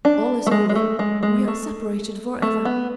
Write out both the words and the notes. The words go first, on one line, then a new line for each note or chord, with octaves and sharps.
All is over; we are separated forever!
D4
A3
G#3
G#3
A3
G#3
G#3
A3
A3
B3